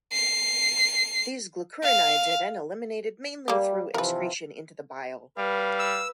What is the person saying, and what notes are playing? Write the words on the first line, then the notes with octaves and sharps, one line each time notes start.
These glucuronides are then eliminated mainly through excretion into the bile.
C7
F5
G3 A#3 G4
C3 E3 F3 A#4 B4
G3 B4 F5
E6